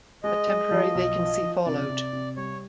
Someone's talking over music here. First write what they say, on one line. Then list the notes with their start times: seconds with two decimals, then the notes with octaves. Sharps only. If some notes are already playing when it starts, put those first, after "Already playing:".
A temporary vacancy followed.
0.23 G#3 D#5
0.47 G#3
0.71 F3
0.95 B1
1.19 F3
1.42 F3
1.65 C3 D5
1.89 C3
2.13 C3
2.36 G3 C#5